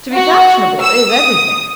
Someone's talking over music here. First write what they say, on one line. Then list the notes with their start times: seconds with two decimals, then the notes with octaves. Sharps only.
To be fashionable is everything.
0.15 F#4
0.82 E6
1.13 D#6